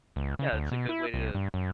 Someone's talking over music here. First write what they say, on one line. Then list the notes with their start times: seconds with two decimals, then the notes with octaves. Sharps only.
yeah, that's a good way to
0.16 C#2
0.39 C#3
0.53 D2
0.72 B2
0.89 E4
1.14 C2
1.34 G2
1.54 F#2